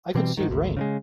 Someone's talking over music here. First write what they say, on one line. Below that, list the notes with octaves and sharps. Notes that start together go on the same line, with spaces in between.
I could see rain.
B2 E3 G3 C4
G#2 D#3
G#1 D2
C#3 E3 G#3